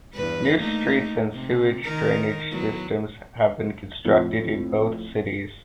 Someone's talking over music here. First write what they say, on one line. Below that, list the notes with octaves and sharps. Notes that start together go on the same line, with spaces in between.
New streets and sewage drainage systems have been constructed in both cities.
E2 G2 B4
A3 A#3 D#4
C3
D#3 D#4 A#4
F#3 B3 E4
F2 A2 F3